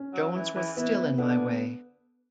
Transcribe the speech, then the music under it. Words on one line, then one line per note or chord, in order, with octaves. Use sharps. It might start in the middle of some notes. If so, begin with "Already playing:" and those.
Jones was still in my way.
Already playing: C#4
F#3
E3
E3
E3 B3
D3 B3